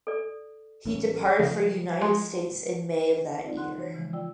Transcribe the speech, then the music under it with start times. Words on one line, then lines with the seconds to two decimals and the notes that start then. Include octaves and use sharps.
He departed for United States in May of that year.
0.07 A4 D5
0.85 A1 C#4
1.40 C#3 F3
2.01 G#3 F#4 C6
3.44 C4 D#4 F4 D5
3.57 F#5 C6 F#6
3.77 E3 F#4 C5 C#5
3.94 C#3 E3 F3 G#3
4.13 F4 D5 G5 E6